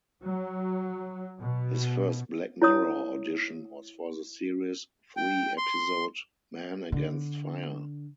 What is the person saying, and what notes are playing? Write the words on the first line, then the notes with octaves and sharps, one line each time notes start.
His first "Black Mirror" audition was for the series three episode "Men Against Fire".
F#3
B2
E4 C#5 D#6
G5
C6
D3